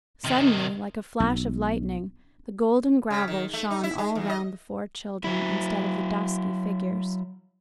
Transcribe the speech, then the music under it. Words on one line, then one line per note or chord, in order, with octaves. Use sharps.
Suddenly, like a flash of lightning, the golden gravel shone all round the four children instead of the dusky figures.
C3 D#3
B1
C#3
D#3
A3
D#4
E4
G#3
E2
D#5
F#3 E4